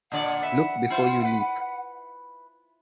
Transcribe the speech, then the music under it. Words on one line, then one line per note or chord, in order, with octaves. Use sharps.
Look before you leap.
A#2 D3 D5 F#5
B4 E5
E4 F4 C5
B4